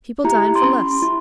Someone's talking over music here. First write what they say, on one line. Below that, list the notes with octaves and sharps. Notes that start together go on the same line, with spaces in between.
People dine for less.
E4 G4 A#5
C6
C#4 B5
E4